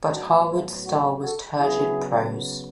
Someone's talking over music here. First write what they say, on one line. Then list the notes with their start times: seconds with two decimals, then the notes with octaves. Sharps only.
But Harwood's style was turgid prose.
0.12 A2 F#3 B3 D4 F#4
0.50 E4 G#4
0.85 F#4 A4
1.22 F#4 A4
1.59 C#3 F#3 B3 E4 G#4